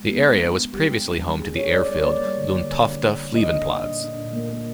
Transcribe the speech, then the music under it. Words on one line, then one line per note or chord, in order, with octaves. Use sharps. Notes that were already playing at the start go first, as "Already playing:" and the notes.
The area was previously home to the airfield Lundtofte Flyveplads.
Already playing: G#3
B3
B3
D4
B3
G3 G4
B3
D4
G3
G3 G#4
D4 C#5
B3 D5
G3 C#5
A#3 D5
G3
D3
A#3
D3
D4
D4
D4
A#3 D#5
D4
D4
A#2
D4
A#2
A#3
A#3